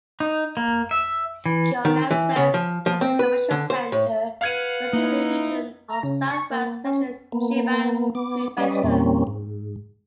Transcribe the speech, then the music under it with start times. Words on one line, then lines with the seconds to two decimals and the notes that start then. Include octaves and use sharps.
Kyonan serves as a commercial center for the surrounding region of southwest-central Chiba Prefecture.
0.20 D#4
0.57 A#3
0.91 E5
1.46 E3
1.85 D#3
2.11 E3
2.36 C#3
2.54 F3
2.86 F3
3.01 C4
3.19 B4
3.51 D3
3.70 C5
3.92 A2
4.41 B4 F5 F#5 G#6 D#7
4.93 A#3 D#4 E4
5.89 A#5
6.03 C#3
6.31 C#6
6.50 A#3
6.84 C#4
7.32 A#3 B3
8.15 B3 D6
8.57 G3 C#4 B4 D5 D#5
8.83 E2 A#2 G3 A#3 C4 C#4
9.27 G#2